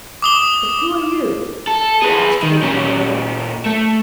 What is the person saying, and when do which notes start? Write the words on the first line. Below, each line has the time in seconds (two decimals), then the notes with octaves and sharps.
"But who are you?" he asked the little girl.
0.22 D6 D#6 G7
1.67 A4
2.02 G#4 B4
2.43 D#3
2.62 A#2 C#4
3.66 A3